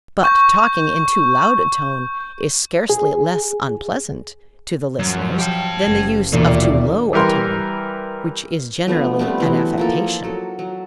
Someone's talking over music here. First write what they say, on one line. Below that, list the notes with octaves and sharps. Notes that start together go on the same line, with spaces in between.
But talking in too loud a tone is scarcely less unpleasant to the listeners than the use of too low a tone, which is generally an affectation.
C#6 G6
G#4
F#2 F3 F#3
G4 F5 G5 A5
F#1
E1 D#2 D#3 A#3 D4 F4
E3 G3 A#4 C6
F3 A3 B3 D4
G3 A3 B3 C4
E3 F#3
F3 A#3 A4
F#3 A4
F#3